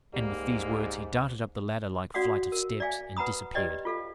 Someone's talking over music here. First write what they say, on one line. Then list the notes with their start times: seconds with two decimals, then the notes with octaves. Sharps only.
And with these words he darted up the ladder-like flight of steps and disappeared.
0.14 C#2 G#2 G3 A#3
2.14 C#4 F#4 D5 F5 F#5 D#6
2.52 A#4
2.80 D5 E5 F5 G#5
3.17 B4 F#5 A#5 B5 D#6
3.54 G4 B4 D5 D#5 G5
3.85 F4 A4 F5